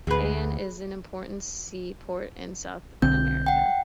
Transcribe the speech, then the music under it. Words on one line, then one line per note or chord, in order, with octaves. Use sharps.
Cayenne is an important seaport in South America.
D2 G#4 B4
B1 D3 C4 G6
F#5 G5